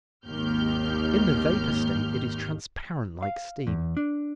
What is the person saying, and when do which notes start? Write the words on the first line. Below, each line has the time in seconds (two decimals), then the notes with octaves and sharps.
In the vapor state it is transparent like steam.
0.27 G#1 D#2 D#3 G4 F6 G6
3.23 F5
3.67 E2
3.97 D4